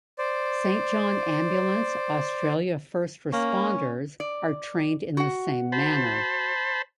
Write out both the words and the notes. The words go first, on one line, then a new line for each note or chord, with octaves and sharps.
Saint John Ambulance Australia First Responders are trained in the same manner.
C5 D5
A#3 C#4
D5
F#4 F#5
C5 A5 B5